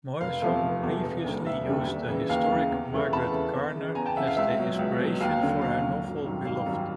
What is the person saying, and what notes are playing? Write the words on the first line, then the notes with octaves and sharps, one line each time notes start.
Morrison previously used the historic Margaret Garner as the inspiration for her novel "Beloved".
F1 F5
E2 C3 F3 A3 F5
F1
E2 C3 F3 A3
E1
D#2 D3 G3
E1 E5
D#2 D3 G3
D#2
C#3 E3
D#2 F5
C#3 E3
E2
C#3 E3 A3
E2 A5 B5
C#3 E3 A3
E2
C#3 E3
E2 G#5 A#5
G5 A5
C#3 E3 E5 F#5
F5
C#2 E5
B2 F#3
C#2
B2 F#3
D#2 F5
D3 F#3
D#2 F5
D3 F#3
G#1
F#2 D#3 G3
G#1 F5
F#2 D#3 G3